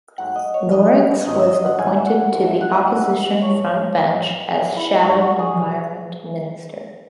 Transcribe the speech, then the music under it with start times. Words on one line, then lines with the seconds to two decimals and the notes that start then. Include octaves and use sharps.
Lawrence was appointed to the Opposition frontbench as Shadow Environment Minister.
0.18 G#2 F#3 A3 F#5
0.36 D#5
0.54 C#5
0.72 G#2 F#3 A3 D#5
1.26 G#1 G#2 F#3 A3 D#5
1.39 E5
1.53 D#5
1.66 F#5
1.79 G#1 G#2 F#3 A3 G#5
1.97 E5
2.06 F#5
2.34 G#2 E3 G#3
2.47 E5
2.61 F#5
2.74 E5
2.87 G#2 E3 G#3 F#5
3.41 A1 A2 E3 G#3 C#5
3.96 A1 A2 E3 G#3
4.49 G#2 F#3 A3 G#4
4.76 E4
5.03 G#2 F#3 A3 F#4
5.21 F#4
5.39 G#4
5.57 C2 C3 F#3